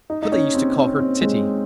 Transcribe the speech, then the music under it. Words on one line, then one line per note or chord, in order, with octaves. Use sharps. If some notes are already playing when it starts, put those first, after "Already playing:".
So they used to call her Titty.
D#4
D#4
C#4
C4
C#4
C4
G#3